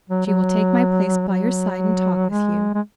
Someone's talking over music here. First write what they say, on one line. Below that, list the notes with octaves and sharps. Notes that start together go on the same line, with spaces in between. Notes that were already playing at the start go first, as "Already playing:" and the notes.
"She will take my place by your side and talk with you."
F#3
F#3
F#3
G#3
G#3